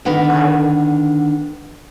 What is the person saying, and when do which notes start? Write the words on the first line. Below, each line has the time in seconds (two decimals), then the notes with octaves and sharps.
I don't
0.05 D3 D#3 B3